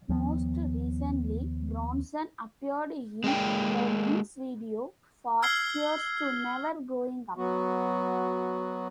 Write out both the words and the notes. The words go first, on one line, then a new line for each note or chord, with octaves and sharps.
Most recently, Bronson appeared in Lavigne's video for "Here's to Never Growing Up".
D#2 F3 B3
G#3 A#3 G5
E6 F6 G#6 C7 G7
F#3 B3 F#4